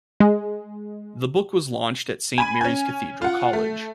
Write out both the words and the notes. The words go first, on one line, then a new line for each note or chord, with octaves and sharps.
The book was launched at Saint Mary's Cathedral College.
G#3
G#5 B5 D#7
C#4 G#5
F4 F#5
A3